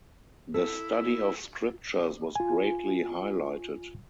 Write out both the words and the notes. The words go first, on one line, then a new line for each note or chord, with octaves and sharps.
The study of scriptures was greatly highlighted.
E4 A4
F4 G#5